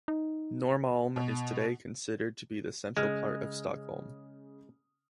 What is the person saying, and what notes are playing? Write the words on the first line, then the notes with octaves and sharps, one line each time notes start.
Norrmalm is today considered to be the central part of Stockholm.
D#4
B2
C#3 G#3 D#6 F6